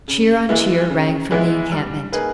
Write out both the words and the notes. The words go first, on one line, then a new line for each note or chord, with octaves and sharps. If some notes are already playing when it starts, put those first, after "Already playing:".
Cheer on cheer rang from the encampment.
C#3
E3 G#3 B3 E4
C#3
E3 G#3 B3 E4
G3
A#3 D#4 G#4 B4